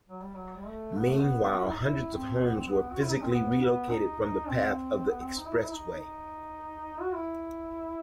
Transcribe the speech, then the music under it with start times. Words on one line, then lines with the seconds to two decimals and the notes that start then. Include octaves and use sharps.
Meanwhile, hundreds of homes were physically relocated from the path of the expressway.
0.08 F#3
0.21 G3
0.34 F#3
0.56 G3
0.67 A3
0.97 B3
1.08 A3
1.18 B3
1.55 F#4
1.64 E4
1.72 D#4
1.81 E4
2.14 C4
2.43 B3
2.55 C4
2.68 B3
2.92 F#4
3.02 E4
3.11 D#4
3.22 C4
3.31 B3
3.61 B3
3.90 D#4
4.19 D#4
4.49 C4
5.08 B3
5.22 C4
5.37 D#4
5.46 E4
5.54 D#4
5.63 E4
5.72 D#4
5.96 D#4
7.01 F#4
7.13 E4